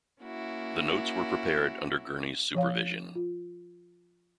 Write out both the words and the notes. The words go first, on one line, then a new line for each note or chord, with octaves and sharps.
The notes were prepared under Gurney's supervision.
A#3 C#4 E4 F#4
F3 C#5 F5
F4